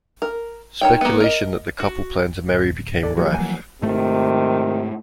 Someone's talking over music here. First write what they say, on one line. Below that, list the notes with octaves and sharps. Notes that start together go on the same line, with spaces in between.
Speculation that the couple planned to marry became rife.
A#4
D#3 C#5 G5
A#3 B3
A#4 D#5
F#4
D1
A4 D5
F3 G3 A#3 F#4 G#4
E3 F#3 G#5
G#2 C3 D#3 A3